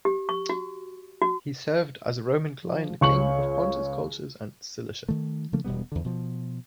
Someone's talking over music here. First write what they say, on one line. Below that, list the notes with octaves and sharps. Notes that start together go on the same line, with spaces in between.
He served as a Roman Client King of Pontus, Colchis and Cilicia.
G4
C#6
F#4
F#4
F3
C#2 C#5 C#6 F#7
D#3 A3
C#3 F3 A3 A#3
E1 B2 G3 B3
E2 D3
B2 F3